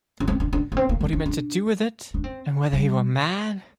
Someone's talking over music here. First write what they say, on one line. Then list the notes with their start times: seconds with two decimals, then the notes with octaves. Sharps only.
What he meant to do with it, and whether he were mad?
0.20 D4
0.28 C4
0.40 D4
0.53 D4
0.72 A#3
0.77 C4
0.89 A#3
1.01 C4
1.13 D4
1.26 D4
2.14 D4
2.24 C4
2.73 G3